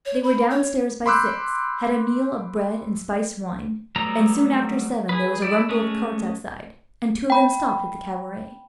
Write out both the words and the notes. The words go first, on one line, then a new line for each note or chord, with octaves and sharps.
They were downstairs by six, had a meal of bread and spiced wine; and soon after seven there was a rumble of carts outside, and two of them stopped at the cabaret.
C#5
B5
C#5
B5 C6 D6 E6 F#6 G6
F#3 G3 A3 B3 A#5
G#4 B4
E4 D5
G#3 A3 C#4 G#4
G5 B5